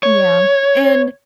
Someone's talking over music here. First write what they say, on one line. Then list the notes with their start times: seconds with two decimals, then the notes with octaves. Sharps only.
Yeah, and
0.03 C#5